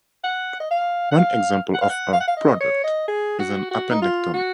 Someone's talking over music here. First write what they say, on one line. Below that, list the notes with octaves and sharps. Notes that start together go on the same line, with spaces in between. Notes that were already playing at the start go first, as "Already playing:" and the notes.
One example of a "product" is an appendectomy.
F#5
D#5
F5
F#5
F5
F#5
F5
F#5
F5
F#5
F5
D#5
C#5
D#5
G#4
F#4
F#4
D#4
F4
F#4